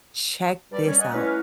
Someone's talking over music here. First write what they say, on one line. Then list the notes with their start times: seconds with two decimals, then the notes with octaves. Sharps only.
Check this out.
0.72 G2 G3 D5
0.86 C#4
0.99 D#5 F#5 G#5
1.13 A3 C#4 E4 B4
1.27 F6